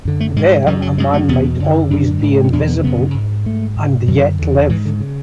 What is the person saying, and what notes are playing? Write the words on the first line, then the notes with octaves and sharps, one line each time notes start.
There a man might always be invisible — and yet live.
F#2 D3
A3
G#2 G#3
E3
F#2 C#3 E3
F#3
F#2 C#3 G#3
A3
E2 B2 B3
F#2 D3
F#2 D3 D4
G#2
C#4
E2 B2 D4
B3
F#2 C#3 B3
G#2
G#2 A3
G#2
F#2 D3 F#3
E2 D3
G#2 E3
D3
C#3